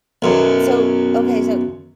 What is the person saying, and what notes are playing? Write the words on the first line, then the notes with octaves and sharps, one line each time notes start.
So, okay, so,
B1 F#2